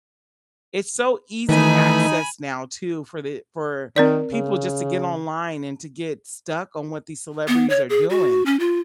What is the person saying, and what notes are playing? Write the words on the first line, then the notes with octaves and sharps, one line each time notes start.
It's so easy access now too, for the for people just to get online and to get stuck on what these celebrities are doing.
D#3 E3 A3 D#4 B4 G#5 B5
D#3 C4 A#4 D5
C#3
B3
C#5
G#4
F#4
C#4
F4